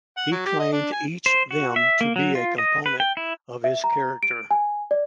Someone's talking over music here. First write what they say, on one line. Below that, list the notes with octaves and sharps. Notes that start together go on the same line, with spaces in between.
He claimed each them to be a component of his character.
F#5
F#3
G4
D#5
D4
G#5
C5
F#4
E5
A#3
F#3
F4
D#5
B4
G5
E4
E5
A#5
D7
G#5
D5